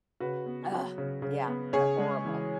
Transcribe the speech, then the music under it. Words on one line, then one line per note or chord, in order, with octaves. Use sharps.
ugh, yeah, uh horrible.
C#3 F#4 B4
B3
F#3
C#3
C#3
B3
C#3 G#4 C#5
G#3
E3